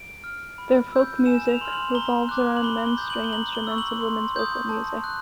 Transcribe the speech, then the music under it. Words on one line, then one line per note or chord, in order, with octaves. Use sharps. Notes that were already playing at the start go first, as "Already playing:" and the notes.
Their folk music revolves around men's string instruments and women's vocal music.
Already playing: D7
F6
B5
E6 G6
G#5 E7
E7
F7
C6 F6
F#7
A#5 G7
D6 F#6
F#7
B5 G7
G7
D#6 G6
F#7
G7
A#5 F#7
G7
C#6 E6
F#7
C6
D#6 G6
A5
F#6